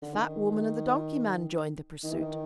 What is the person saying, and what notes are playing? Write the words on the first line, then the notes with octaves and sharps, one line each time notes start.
The fat woman and the donkey man joined the pursuit.
D3
D#3
D#3
E3
D#3